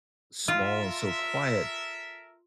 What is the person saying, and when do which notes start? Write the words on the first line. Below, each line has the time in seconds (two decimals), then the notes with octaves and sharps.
small and so quiet,
0.48 F4 A4 A#4 E5